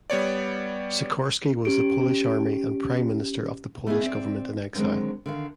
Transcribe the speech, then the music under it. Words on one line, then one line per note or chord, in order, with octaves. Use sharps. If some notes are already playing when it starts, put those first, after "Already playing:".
Sikorski was the Polish Army and Prime Minister of the Polish government in exile.
G3 B3 C#5 D5
C#4 G4 D7
A3 B3 D#4 F4 F#4 G#4
C4 D5
D3 D#3 F#3 G#3 C4
D3 D#3 F5